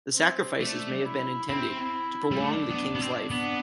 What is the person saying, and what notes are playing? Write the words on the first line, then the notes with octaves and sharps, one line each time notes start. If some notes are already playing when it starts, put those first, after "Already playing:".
The sacrifices may have been intended to prolong the king's life.
C4
A3 D4
E4
C4 E4
G3
A3 D4
B3
B3
C4
B3 D4